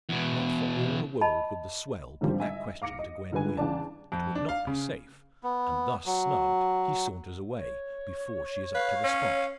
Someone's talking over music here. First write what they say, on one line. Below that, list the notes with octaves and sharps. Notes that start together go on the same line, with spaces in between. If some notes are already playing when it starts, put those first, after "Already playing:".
Not for all the world would the swell put that question to Gwen Wynn. It would not be safe; and thus snubbed he saunters away, before she is up to the spot.
E2 B2
D#5 A5 B5
G#2 D3 D#3 F3 G3 C4
D#5 E5 G#5
F5 D6 A#6 C#7
D#5
C#2 D3 G3 B4 G#5
E2 C#3 D4 D5 A5
F2
D4
F5
C#3
B3
F#3
C#5
B4 F5
C#4